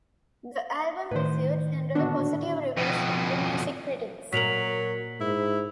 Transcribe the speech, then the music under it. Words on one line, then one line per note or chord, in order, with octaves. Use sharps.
The album received generally positive reviews from music critics.
A2 D#3 B4 C5
A#2 D3 B3 D4 F#4
F2 B2
A#2 F#3 A#4 B6 F7 F#7
G#2 E4